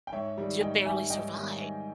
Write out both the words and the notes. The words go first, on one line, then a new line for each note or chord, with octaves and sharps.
you barely survive,
G5
G#2 C#5 E5
D#3 G3
G#2 D#5 G5
D#3 G3 E5 G#5
G#2 D#5 G5
D#3 G3
G#2